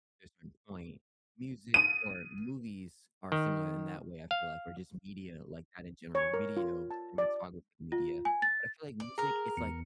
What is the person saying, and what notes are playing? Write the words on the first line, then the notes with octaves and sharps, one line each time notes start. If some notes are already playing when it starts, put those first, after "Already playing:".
to a certain point. Music or movies are similar in that way, I feel like or just media, like at a general video cinematography media. But I feel like music it's like
D#7
D#3
F5
C#5
A#4
F4
A5
D5
F4
G#5
A6
D5
G#4 A#4 A#5
E2 C#7